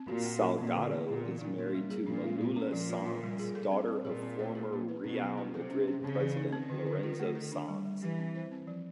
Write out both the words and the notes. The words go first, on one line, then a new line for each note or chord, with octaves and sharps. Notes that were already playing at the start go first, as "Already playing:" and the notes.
Salgado is married to Malula Sanz, daughter of former Real Madrid president Lorenzo Sanz.
Already playing: C4
A#2 F#4
A#3
A#3
A#2 C4
D3
F4
A#2 B3
E3
D#4
A#2 D#4
G3
G#4
A#2 D4
G#3
F4
A#2 C#4
F3
F4
F4
G3
G#4
A4
C4
C4
A#2 G#4
C4
C5
G#4
A#3
B4
B2 C#4
F#3
E4
C3 A4
C#4
C#4
C#3 C4
E3
D#4
D#3 C4
D3
D3
F4
A3
A4
D4
G3
G3
E3 G4
C4
C5
C4
F3